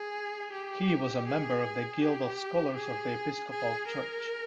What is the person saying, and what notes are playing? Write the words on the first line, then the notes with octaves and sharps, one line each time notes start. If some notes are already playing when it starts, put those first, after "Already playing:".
He was a member of the Guild of Scholars of The Episcopal Church.
Already playing: G#4
G4
G#4
G4
G#4
G#4
A#4